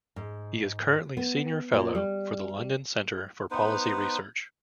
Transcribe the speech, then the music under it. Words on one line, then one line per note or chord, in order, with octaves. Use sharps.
He is currently Senior Fellow for the London Center for Policy Research.
G#2
B3
A#2
G3
B3 D#4 B4 C5